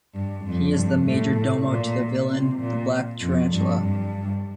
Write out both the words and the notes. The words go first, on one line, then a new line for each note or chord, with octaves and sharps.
He is the majordomo to the villain the Black Tarantula.
G2
F2
G2
A2
A2
A#2
C3
A#2
F2
G2
G2